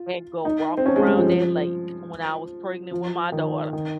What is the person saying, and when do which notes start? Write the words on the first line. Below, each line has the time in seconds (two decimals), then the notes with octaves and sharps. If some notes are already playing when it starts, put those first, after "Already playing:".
and go walk around that lake when I was pregnant with my daughter,
Already playing: F4
0.45 D#4
0.77 C4
0.86 C#4
0.96 G#3
1.07 G3
1.16 F3
1.27 F3
2.91 F3
3.32 D#3
3.73 D#3